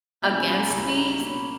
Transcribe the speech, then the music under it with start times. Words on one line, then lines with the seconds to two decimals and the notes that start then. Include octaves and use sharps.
against me s
0.22 B2 A#3 C#4 E4 E5
0.34 G#5
0.46 B5
0.59 A#5
0.70 C#2 C#3 G3 C#4 E4 A#5
0.83 B5
0.95 A#5
1.08 B5
1.19 B2 A#3 C#4 B5